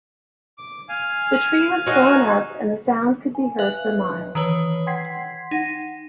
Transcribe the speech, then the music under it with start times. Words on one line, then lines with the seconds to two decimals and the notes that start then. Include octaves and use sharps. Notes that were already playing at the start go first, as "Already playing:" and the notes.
The tree was blown up and the sound could be heard for miles.
0.58 D6
0.89 F5 G#5
1.86 D#4 F#4
3.35 G#5
3.59 B4 E5 F5 F#6
4.35 D#3 E3 B4 C#5
4.87 F#5 G5 C6 G#6 B6 C7
5.51 D#4 F#5